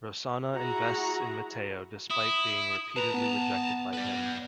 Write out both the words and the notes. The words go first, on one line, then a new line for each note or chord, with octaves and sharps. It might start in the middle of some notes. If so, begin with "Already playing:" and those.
Rosana invests in Matteo despite being repeatedly rejected by him.
E4 F#4 G#4 A#5
E4 D#6
B4 A5 A#5
B3
B4 D5